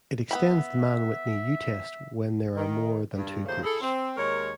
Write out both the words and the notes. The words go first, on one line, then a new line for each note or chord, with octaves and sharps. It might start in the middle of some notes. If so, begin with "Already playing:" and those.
It extends the Mann-Whitney U test when there are more than two groups.
B3 E5 G5 B5
D#3
G2
D#2 C#3 F3 A3 C5
E4 G#4 A4
C4
D#2 G#3 A#4 C#5